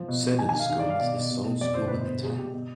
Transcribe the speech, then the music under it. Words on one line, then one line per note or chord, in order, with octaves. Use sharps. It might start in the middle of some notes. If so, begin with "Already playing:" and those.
Seddon School is the sole school in the town.
Already playing: F3
B2
B2
D#3 G#5
G#5
D#3
F5
D#3 F5
D5
D#3
F5
B2 D5
B2
B2
B2
F2 D5
G1 C5
B2 B4
C5
B2
B2 G#4
B2 G4
B2